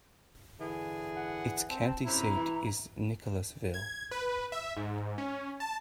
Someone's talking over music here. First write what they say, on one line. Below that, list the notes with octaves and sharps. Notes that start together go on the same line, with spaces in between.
Its county seat is Nicholasville.
D3 E3 G#4
F#5
C4 A5
F#2 C3 E4 A#5
E3
G#6
B4
E5
G#2
C#4
A5